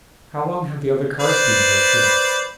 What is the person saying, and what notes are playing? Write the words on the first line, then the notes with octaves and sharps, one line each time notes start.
"How long have the other cars been here?" he asked.
B4 C5 D5